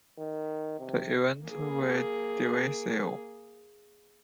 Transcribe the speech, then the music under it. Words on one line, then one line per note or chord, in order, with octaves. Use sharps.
The events were divisive.
D#3
C3
A#3 G#4